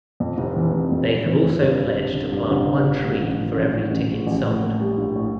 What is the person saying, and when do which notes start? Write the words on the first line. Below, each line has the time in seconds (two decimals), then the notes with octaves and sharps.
They have also pledged to plant one tree for every ticket sold.
0.20 F2
0.38 F1
0.56 E3
0.73 F1
0.92 F2
1.09 F1
1.26 E3
1.44 F1
1.62 G2
1.80 G1
1.98 D3
2.15 G1
2.32 G2
2.51 G1
2.67 D3
2.86 G1
3.03 A2
3.22 A1
3.39 F3
3.56 A1
3.73 A2
3.91 A1
4.09 F3
4.27 A1
4.45 A2
4.63 A#3
4.80 G3
4.98 A#1
5.16 A2